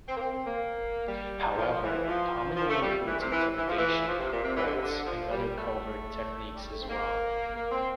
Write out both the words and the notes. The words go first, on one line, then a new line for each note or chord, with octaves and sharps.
However, it commonly includes intimidation, threats, and other covert techniques as well.
C4
A#3
C4
C4
A#3
G3
F3
E3
F3
F3
A3
G3
E3
C3
E3
E3
F3
E3
F3
C3
A#2
C3
E3
D3
C3
D3
F3
G3
A3
G3
A3
C4
A#3
A#3
C4